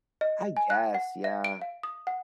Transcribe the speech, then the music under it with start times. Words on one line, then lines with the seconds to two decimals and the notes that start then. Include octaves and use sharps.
I guess, yeah.
0.21 D#5
0.57 G#5
0.70 F#6
0.95 F#5
1.24 E5
1.44 D7
1.62 F5
1.83 D#6
2.07 F#5